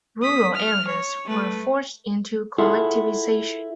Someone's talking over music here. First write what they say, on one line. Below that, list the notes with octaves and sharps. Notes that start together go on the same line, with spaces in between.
Rural areas were forced into collectivisation.
D#6 B6
F6
C#5
A3 B4
E4 F4 G#4 A4 F#5